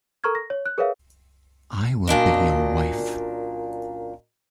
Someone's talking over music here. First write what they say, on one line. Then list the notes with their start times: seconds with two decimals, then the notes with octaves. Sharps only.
I will be your wife.
0.24 A4 A#4 A#5 C#6 F6 G#6
0.35 A#6
0.50 C#5
0.66 F#6
0.78 G#4 A#4 B4 C#5 E5 F5
2.07 F#2 A#2 D4 D#5